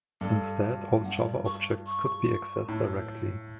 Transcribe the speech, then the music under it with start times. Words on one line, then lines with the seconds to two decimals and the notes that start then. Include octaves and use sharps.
Instead, all Java objects could be accessed directly.
0.21 G2 A4
1.04 G2 F#5
1.24 D5
1.46 C#6
1.86 C#6
2.68 A2